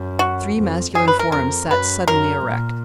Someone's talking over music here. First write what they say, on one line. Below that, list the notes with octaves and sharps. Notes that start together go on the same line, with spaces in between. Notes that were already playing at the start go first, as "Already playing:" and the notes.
Three masculine forms sat suddenly erect.
Already playing: F#2
F#4
F2
F#2 G#4
B4
A#4
F2 A#4
F#2 B4
F#2 A#4
A#2